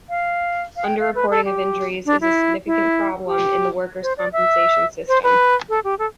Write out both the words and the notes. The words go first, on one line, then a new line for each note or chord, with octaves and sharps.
Underreporting of injuries is a significant problem in the workers' compensation system.
F5
F5
G5
F5
B4
A4
G4
D4
E4
E4
G4
C5
D5
E5
C5
B4
A4
G4
A4